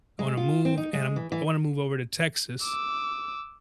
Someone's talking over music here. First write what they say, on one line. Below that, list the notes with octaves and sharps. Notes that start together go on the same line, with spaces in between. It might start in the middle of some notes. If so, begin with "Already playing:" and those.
I wanna move and I'm I wanna move over to Texas,
G#3
F4
C4
D#4
G#3
E3
E3
D6 E6